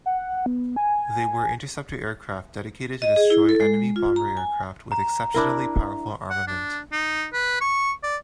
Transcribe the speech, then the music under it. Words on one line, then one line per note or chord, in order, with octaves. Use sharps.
They were interceptor aircraft dedicated to destroy enemy bomber aircraft with exceptionally powerful armament.
F#5
B3
G#5
D#5
G#4
E4
A4
G#3
F4
A#5
G#5
A#5
D4 E4 A#4
F#5
D4
D#4
B4
C#6
D5